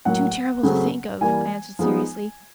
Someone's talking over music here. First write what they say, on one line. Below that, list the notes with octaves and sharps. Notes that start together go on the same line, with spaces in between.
"Too terrible to think of," I answered seriously.
A2 F#3 A#3 F#5
C#3 F#3 A3 C4
E3 G3 A#3 G#5
F3 G#3 B3 D#4